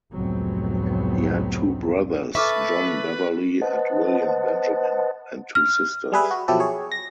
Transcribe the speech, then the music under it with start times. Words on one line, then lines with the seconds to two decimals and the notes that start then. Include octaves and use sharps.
He had two brothers, John Beverley and William Benjamin, and two sisters.
0.13 F1 C#2 A2 F#3 B3 C4
2.35 A4 B4 E5 C#6 D6 F6
3.62 B4 C5 D#5 F#5 A5
5.55 F6
6.12 G3 G#4 B4 E5
6.31 F#4
6.48 B2 F3 F#3 E4 G4 A4
6.60 G#4 C#5
6.92 A#6